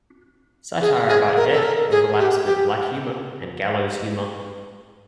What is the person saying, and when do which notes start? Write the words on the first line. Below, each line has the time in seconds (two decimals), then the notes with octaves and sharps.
Satire about death overlaps with black humor and gallows humor.
0.81 G#4
1.09 G#4
1.37 A#4
1.53 A4
1.64 A#4
1.91 G#4
2.19 G4
2.45 G4